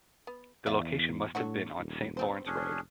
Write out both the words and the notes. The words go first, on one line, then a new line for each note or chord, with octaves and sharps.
The location must have been on Saint Lawrence Road.
B3
E2 D5 E5 F5
A2 D3 F#3 F#4
D#1
B3 C4 C5
F1 C#4 D4 G#4